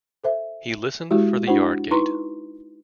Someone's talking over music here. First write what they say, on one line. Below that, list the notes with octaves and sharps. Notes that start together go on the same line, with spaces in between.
He listened for the yard-gate.
A4 C5 E5
G#3 E4 F#4 G4
D4 E4 F#4 C5 F#5
D#4 E4 B4 A#5 C6 C#6